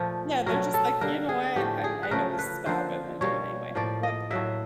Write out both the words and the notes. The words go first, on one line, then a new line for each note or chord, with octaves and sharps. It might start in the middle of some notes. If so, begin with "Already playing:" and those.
Yeah. They're just like, "You know what? I'm I know this is bad, but Imma do it anyway." Yep.
Already playing: A#2 F3 A3
B2 F#3 A3 A#4
A4
D3 G3 A#3 A#4
G#4
A2 F3 A3 G4
G#4
B4
C#3 F3 A3 A#4
B4
D3 F3 A#3 C5
B2 G3 A#3 C#5
A2 F3 A#3 D5
D#5
A2 F#3 A#3 E5